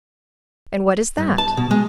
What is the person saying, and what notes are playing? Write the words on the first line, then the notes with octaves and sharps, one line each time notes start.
"And what is that?"
G2
A5
B2
G#3